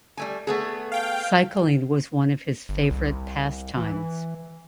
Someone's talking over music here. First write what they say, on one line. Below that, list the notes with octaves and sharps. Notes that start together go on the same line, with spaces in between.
Cycling was one of his favourite pastimes.
G3 A3 G#5
A3 B3 G#4
F5 G5
G1
C2
E3